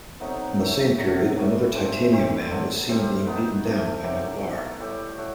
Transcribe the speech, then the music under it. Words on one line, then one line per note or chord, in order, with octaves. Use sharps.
In the same period, another Titanium Man was seen being beaten down by Noh-Varr.
C3 F#3 A3 B3 D#4
C3 F#3 A3
C3 F#3 A3 B3
A2 G3
A2 E3 A3 C4
D#3 G3 C4
B2 F#3 A3
A2 G3 C4
D#3 A3 B3 D#4
C3 E3 A3
C3 D#3 F#3 E4 G4
B2 A3
A2 G3 E4 G4
A2 F#4 A4